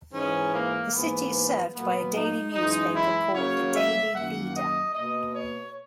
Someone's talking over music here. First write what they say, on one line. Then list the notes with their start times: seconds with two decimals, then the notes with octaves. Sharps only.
The city is served by a daily newspaper called "The Daily Leader".
0.13 G#2 E3 G#3 C#4
0.54 A#3
0.93 G#2 E3 A#3 B3
1.74 A#2 F#3 A#3 B3
2.14 D#4
2.54 F#2 E3 G#3 D#4
2.94 E4
3.35 C#3 F#3 A#3 C#5
3.74 E5
4.14 F#2 D#3 A#3 F#5
4.55 D#5
4.95 B2 A#3 D#5
5.35 C#5